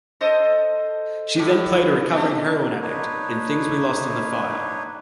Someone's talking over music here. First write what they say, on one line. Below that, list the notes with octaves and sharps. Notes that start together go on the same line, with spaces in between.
She then played a recovering heroin addict in "Things We Lost in the Fire".
A4 C5 D#5
A2 F#3
B3 D4
D4 D#4 B4 C#5